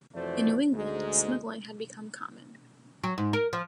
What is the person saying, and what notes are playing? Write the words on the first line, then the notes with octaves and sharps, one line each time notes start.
In New England, smuggling had become common.
F2 E3 A3 F#4 C5 D5
D2 G#2 G#3
F#3
G#2
A#4
F3